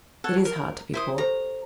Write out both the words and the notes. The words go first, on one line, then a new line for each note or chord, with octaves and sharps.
It is hard to be poor.
A4 C#5 F#5
A#4
E4 C5 D#6
G4 A4 C5 A#5